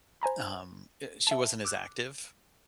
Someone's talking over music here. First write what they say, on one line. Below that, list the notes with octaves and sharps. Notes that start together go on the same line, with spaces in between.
um, e She wasn't as active,
C5 G#5 A#5 B5
E5 A5
D6 E6 F#6